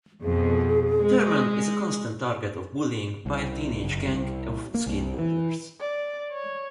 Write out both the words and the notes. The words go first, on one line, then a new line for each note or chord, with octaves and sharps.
Thurman is a constant target of bullying by a teenage gang of skateboarders.
F2 B2 G#4
G#3
C2
F#1
C2
A#3
C2
E3
D5
C#5